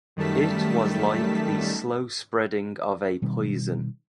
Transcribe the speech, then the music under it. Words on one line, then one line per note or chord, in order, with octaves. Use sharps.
It was like the slow spreading of a poison.
F#2 D#3 G3 A3 A5 B6
B2 D#3 G3 C4